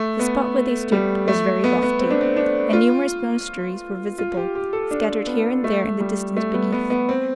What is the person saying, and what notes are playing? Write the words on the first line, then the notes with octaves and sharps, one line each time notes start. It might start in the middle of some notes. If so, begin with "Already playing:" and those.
The spot where they stood was very lofty, and numerous monasteries were visible, scattered here and there in the distance beneath.
Already playing: A3
B3
G3
A3
B3
B3
C4
D4
C4
D4
F4
F4
G4
G4
A4
D4
B3
A3
G3
A3
B3
B3
B3
C4